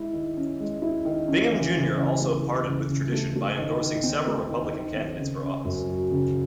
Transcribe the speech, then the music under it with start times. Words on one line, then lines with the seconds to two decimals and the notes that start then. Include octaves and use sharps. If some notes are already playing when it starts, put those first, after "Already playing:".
Bingham Junior also parted with tradition by endorsing several Republican candidates for office.
Already playing: G#3 E4
0.13 D#3
0.37 C#4
0.60 G#3
0.82 E4
1.05 D#3
1.28 C#4
1.52 E3
1.74 C#3
1.97 C#3
2.21 A3
2.43 E3
2.67 C#3
2.89 C#3
3.12 A3
3.36 A3
3.59 D#3
3.81 D#3
4.04 C4
4.27 A3
4.50 D#3
4.73 D#3
4.96 C4
5.19 C#3
5.42 C#4
5.65 F#2
5.88 F#3
6.11 C#3